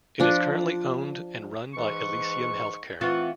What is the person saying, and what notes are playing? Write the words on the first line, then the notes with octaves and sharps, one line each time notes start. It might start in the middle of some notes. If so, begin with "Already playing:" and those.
It is currently owned and run by Elysium Healthcare.
F3 D4
G#2 E3 C#6
E3 C4 F4 F#5 C#6